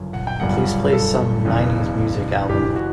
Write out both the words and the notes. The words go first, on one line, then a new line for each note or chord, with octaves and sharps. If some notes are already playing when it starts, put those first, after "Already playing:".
Please play some nineties music album.
Already playing: G1 F#2 C#3
F#5
G5
G1 F#2 C#3 G3 F#5
A4
F#1 E2 C#3
F#1 F#2 E3 G4
F#4